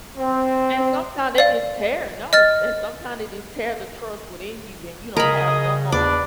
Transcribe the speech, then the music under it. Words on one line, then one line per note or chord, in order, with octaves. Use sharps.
And sometimes they just tear no, and sometimes they just tear the trust within you, and you don't have no more
C4
D5 F5
D#5 F6 A6
C#3 G#4 A#4 D#5 B5
E2 D4 B4 D5